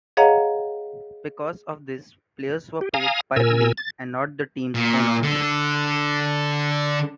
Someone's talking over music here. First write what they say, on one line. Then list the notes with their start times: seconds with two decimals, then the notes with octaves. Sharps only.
Because of this players were paid by the league and not the team's owners.
0.17 G#4 C#5 D#5 F5 F#5 A#5
2.81 G4
2.94 F5 G#5 A#5 D#6
3.36 A#2 A#4 G#5 E6
3.78 A6
4.75 A#2
5.23 D3